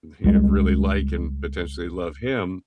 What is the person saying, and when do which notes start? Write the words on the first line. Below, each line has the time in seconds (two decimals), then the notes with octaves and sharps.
you know, really like and potentially love him.
0.24 C#2 G3 G#3